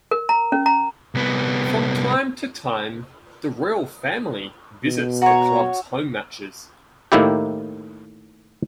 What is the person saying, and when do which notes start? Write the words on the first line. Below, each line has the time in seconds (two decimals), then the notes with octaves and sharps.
From time to time the royal family visits the clubs home matches.
0.11 A#4
0.29 A#5
0.52 C#4
0.66 A#5
1.15 C2 B3
4.84 B2
5.22 F#4 C#5 A#5
7.12 A2 D#3 A#3 E4 G4